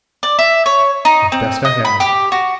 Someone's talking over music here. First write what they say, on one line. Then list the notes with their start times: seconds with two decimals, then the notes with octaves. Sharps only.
"The best I have."
0.23 D5
0.39 E5
0.66 C#5
1.05 D#4
1.32 C4
1.65 D#5
1.85 B5
2.00 G4
2.32 F#4